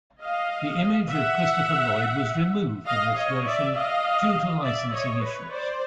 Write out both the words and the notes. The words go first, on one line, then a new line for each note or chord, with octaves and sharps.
The image of Christopher Lloyd was removed in this version due to licensing issues.
D#5 F5
E5 F#5
D#5 F5
C#5 D#5
D5 E5
D#5 F5
D5 E5
C#5 D#5
B4 C#5
C5 D5